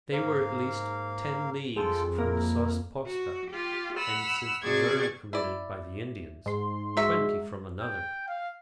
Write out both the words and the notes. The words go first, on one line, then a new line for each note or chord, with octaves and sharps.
They were at least ten leagues from the Sauce posta, and since the murder committed by the Indians, twenty from another.
G#2 A#3 A#4 C5 F5
F2 F4 G#4 A4 G5 C6
A#3 E4 A#4
F#4
F4 G4
F#5 B5 E6 F6
C3 F#4 G#4 D5 C#6 G#6
E4 D5
G#2 C6
F#3 G#3 E5 C#6
G5
F5